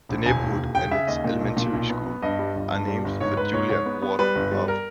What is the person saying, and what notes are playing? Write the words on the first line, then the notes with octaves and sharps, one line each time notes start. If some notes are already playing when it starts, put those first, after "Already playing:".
The neighborhood and its elementary school are named for Julia Ward Howe.
A#1
E1 G#5
D#2
E1
C#3 G5
C#3 E5
D#2 D#5
A#2
B1
A#2
B1
B3
B3
G2 D#5
G3
G1
G2
G3
G1
G#2 C#5
G#2 B4
G#2 C#5
G#2 C#5
B3
B3
G3 B4
G1
G3
A#4